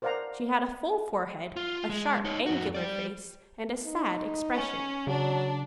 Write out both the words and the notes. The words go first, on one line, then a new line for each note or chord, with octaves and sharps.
She had a full forehead, a sharp, angular face and a sad expression.
A#4 C5 D5 F5 F#5 A#5
F4
G#3
D#4 C#5
F2 F#4
G3 D5
D#4
C#4
C#3 F#3 D4